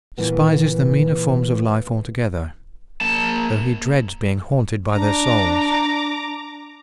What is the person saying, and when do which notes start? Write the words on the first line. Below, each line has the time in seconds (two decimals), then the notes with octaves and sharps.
Despises the meaner forms of life altogether, though he dreads being haunted by their souls.
0.18 A#2 E3 A#3 B3
3.01 A#3 A5
4.95 D4 A#5 D6